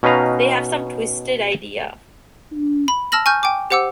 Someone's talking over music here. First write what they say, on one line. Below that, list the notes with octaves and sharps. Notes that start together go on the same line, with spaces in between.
They have some twisted idea.
B2 C#4 D#4 B4 F5 A#5
B5
A5 E6 F6 A#6 F#7
G#5 C#6 F6 G6
G5 G#5 D6
G4 C5 F#5 D6 E6